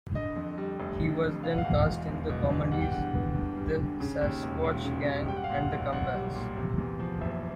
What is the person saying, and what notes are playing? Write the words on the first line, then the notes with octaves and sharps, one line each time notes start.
He was then cast in the comedies "The Sasquatch Gang" and "The Comebacks".
D3 D#5
F2
G3
F1
D3
F2
B2 F5
F#5
F5
E2
E1
E1
B2
E2
G3 F#5
G5
D3 F#5
B3
G2
G3
D3
C#3
D#2
E1
E1
C#3
D#2
G3 G5
F#5
F5
A#2 F#5
B1
B1 F#5
G3
A#2
C3
E2
F3
F#1 E5